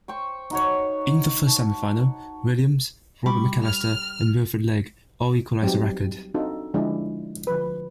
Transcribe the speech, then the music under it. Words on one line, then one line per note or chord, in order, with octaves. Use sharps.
In the first semifinal, Williams, Robert McAllister, and Wilfred Legg all equalized the record.
C5 G5 C6 C#6
D#4 F#4 C#5
A5
G3 B5 C#6 D6
F6
F#3 G3 B3 C4 D#4 G4
C4 D4 D#4 F4 F#4 A4
D3 F3 G#3 D4 E4
D3 F3 B4